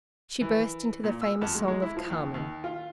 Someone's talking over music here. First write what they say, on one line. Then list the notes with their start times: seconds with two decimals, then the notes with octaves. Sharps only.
She burst into the famous song of CARMEN.
0.41 E3
1.04 A#2
1.22 E6
1.42 F2
1.55 G#3
1.68 G#3
1.82 E4
1.97 F3
2.10 D#2
2.34 D#2
2.64 F4